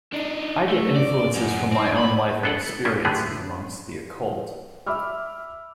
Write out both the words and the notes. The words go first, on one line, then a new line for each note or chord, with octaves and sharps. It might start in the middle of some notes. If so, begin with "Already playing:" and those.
I get influences from my own life and experiences amongst the occult.
D4 D#4
A3
D5
F#2
C4
B5
B3 G#4 A4 D5 F#5
G3 C#4 E4 F4
A2 D3 B3 G4 G#4
E5 B5 D6 E6 F6